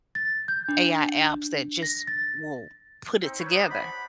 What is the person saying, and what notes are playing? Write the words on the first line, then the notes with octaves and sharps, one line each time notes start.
AI apps that just will put it together.
A6
G6
D4
A#6
A6
C4 D#4
B4 C#5
C5 D5 D#5
F#5 A5 B5